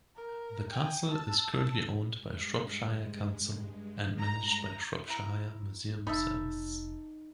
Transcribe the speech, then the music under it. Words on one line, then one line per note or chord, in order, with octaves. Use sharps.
The castle is currently owned by Shropshire Council, and managed by Shropshire Museum Service.
A#4
G5 G#5
A5 E6
G2 G#3
A#5
E4 A#5
F1 D#4 E5 A5 B5